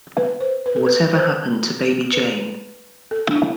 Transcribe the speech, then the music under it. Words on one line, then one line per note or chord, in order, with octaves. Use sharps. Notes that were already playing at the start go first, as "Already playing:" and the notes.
What Ever Happened to Baby Jane?
B4
C5
B4
A4
B4
C5
B4
A4
D4
E4